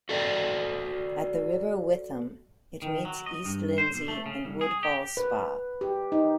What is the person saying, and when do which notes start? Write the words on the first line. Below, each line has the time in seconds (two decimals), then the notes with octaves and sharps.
At the River Witham, it meets East Lindsey and Woodhall Spa.
0.09 F#4 A4 D5 F5 G5
2.82 D#3
3.05 F#3
3.26 D#5
3.45 G2
3.78 C5
3.94 B1
4.08 A3
4.26 C#3
4.45 C2
4.61 G#4
4.83 G4
5.17 B4
5.81 G4
6.12 D#4